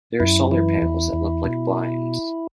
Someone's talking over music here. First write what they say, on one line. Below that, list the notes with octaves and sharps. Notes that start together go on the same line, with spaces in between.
There are solar panels that look like blinds.
F#2 E4
E3 E4
E2
E2
B2